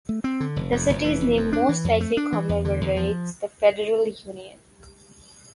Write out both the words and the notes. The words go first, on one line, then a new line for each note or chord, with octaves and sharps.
The city's name most likely commemorates the federal union.
A3
C4
D3
F1
F2
F1
E3
F1
F2
D4
E3
F2
A3
D4
E3
E2
D3
E2
F3